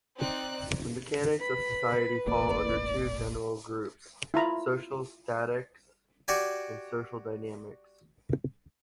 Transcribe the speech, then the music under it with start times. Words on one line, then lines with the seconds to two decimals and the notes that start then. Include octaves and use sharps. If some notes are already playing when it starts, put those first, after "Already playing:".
The mechanics of society fall under two general groups: social statics and social dynamics.
0.18 C4 D#4 D5 F#6
1.41 B4 B5
2.27 E1 A1 A#3 D5
4.34 E4 F4 A#5 B5
6.28 F#4 G4 D5 G#5